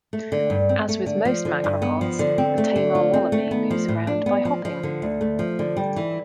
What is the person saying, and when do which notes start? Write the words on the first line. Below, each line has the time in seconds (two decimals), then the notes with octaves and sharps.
As with most macropods, the tammar wallaby moves around by hopping.
0.13 A3
0.32 D3
0.50 G2
0.69 C4
0.89 A3
1.06 D3
1.25 F3
1.45 D3
1.64 G2
1.82 B3
2.01 F3
2.19 D3
2.38 C4
2.58 A3
2.76 D3
2.95 F4
3.14 C4
3.32 A3
3.51 B3
3.70 F3
3.88 A2
4.07 D4
4.26 B3
4.45 F3
4.65 F3
4.83 D3
5.02 D2
5.21 A3
5.39 F3
5.59 D3
5.77 G3
5.96 E3